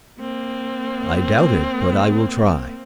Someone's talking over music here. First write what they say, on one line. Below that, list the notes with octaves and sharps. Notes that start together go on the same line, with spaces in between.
"I doubt it, but I will try."
A#3 C4